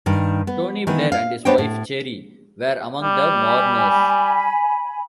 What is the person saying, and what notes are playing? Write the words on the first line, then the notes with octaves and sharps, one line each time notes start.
Tony Blair and his wife Cherie were among the mourners.
G2 D#3
B3
D#3 E3 B3
F5
B3 D4 C5 C#5 D#5 G5
A2
G3
G#5 B5